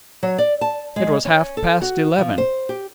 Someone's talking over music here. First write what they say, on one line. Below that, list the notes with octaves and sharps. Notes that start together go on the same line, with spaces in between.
It was half-past eleven.
F#3
D5
A5
G#3
C#4
A4
F#4
F3
C5
G4